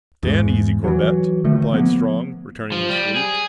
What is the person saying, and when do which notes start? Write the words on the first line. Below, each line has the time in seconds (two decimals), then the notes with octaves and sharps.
"Stand easy, Corbett," replied Strong, returning the salute.
0.23 E2 G#2
0.84 E3 F#3
1.44 D3 D#3 A3
1.74 F3 A#3 B3
2.72 F3
2.89 G3
3.16 G#4